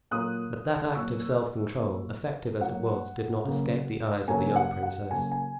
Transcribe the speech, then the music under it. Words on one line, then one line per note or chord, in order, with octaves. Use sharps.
But that act of self-control, effective as it was, did not escape the eyes of the young princess.
A#2 F#3 A#3 D#6 F#6
F#6
A#2 F#3 A#3 C#6 E6
A#2 F#3 A#3
A#2 F#3 A#3 F#5
C#3 F#3 A#3
C#3 F#3 A#3 G#5
F#5
F#5
C#3 F#3 A#3 G#5
G#5